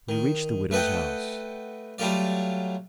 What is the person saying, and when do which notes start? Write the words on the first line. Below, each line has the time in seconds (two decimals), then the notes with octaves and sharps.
We reached the widow's house.
0.09 D#3
0.71 A3 B4 D#5 F#5 G5
1.98 F#3 G3 A3 F4 D5